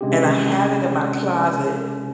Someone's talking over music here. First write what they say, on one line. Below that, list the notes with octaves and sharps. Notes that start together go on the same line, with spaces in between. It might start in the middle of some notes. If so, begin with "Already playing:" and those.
and I have it in my closet,
C3 G#3 C#4 D4 G4